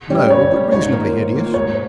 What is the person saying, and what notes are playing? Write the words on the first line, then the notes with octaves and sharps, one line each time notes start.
"No, but reasonably hideous."
G3 C#4
G2 C#5
G3 C#4
G#2 C#5
D#3 A#3 F4
G#2
D#3 A#3 F4
G#2 C#5